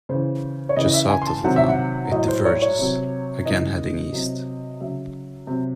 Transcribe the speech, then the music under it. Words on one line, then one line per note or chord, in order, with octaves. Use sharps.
Just south of the town, it diverges, again heading east.
C#3 E3 C5
C#5
C#3 E3 D#5
E5
G#5
C6
A5
C3 D#3 F#3 F#5
E5
F#5
A2 F#3 D#5
C5
C#5
C#5
C3 F#3
C#3 E3 D#5
C3 F#3
C#3 F#3 E5
C3 F#3